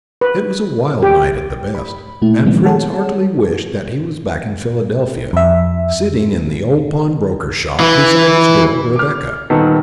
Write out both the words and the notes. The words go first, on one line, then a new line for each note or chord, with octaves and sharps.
It was a wild night at the best, and Fritz heartily wished that he was back in Philadelphia, sitting in the old pawnbroker-shop, beside his girl, Rebecca.
B4
G4
B5
A#2 A3 E4
D#3 F3 F#3 G#3 B3 C4
G#4 A4 C#5 F#5 A5
F2 E5
E3
D6 F6
D#1 D#3 B3 A4